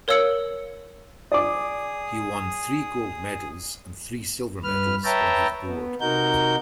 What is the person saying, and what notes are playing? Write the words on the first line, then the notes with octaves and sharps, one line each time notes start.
He won three gold medals and three silver medals on his board.
A#4 C#5 F5 E6 C#7 F#7
G#4 D5 D6 D#6
G2 B4 F6
B4 C#5 E5 G5 A5 A#5
B3
C3 D#4 F#4 A#4 G6